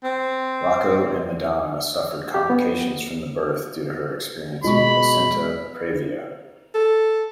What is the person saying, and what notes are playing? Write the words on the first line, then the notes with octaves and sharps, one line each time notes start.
Rocco and Madonna suffered complications from the birth due to her experiencing placenta praevia.
C4
G4
B3
B2 G#3 B5 C#6
A4